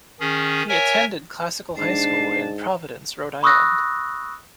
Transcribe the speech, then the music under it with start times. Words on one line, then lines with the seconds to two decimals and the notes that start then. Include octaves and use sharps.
He attended Classical High School in Providence, Rhode Island.
0.20 D#3 C#4 G#4
0.69 A#4 C#5 E5 G#5
1.78 G#2 D4 A5 C7
3.43 B5 C#6 D#6 E6 F#6 A#6